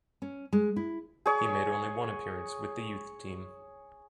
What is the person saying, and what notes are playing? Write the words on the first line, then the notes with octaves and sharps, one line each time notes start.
He made only one appearance with the youth team.
C#4
G#3
E4
G#4 C#5